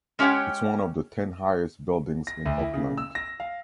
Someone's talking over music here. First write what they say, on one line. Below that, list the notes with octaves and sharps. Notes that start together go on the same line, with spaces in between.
It’s one of the ten highest buildings in Auckland.
G#3 C#4 G4 C#5 F#5 G5
A#6
D2
E4
C#3
E6
A#6
F5